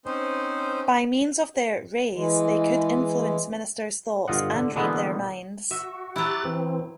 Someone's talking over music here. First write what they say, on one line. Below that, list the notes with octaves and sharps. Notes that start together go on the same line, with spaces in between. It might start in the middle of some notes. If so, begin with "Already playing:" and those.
By means of their "rays" they could influence ministers' thoughts and read their minds.
C4 C#4 D#4 C5
E3 G#3
G1 F4 G#4 D#5 F#5
D3
B2 D3 E3 G#3 A#3 B3
F#4 E5
F#3 E4 G4 F#6 A6
E3 C4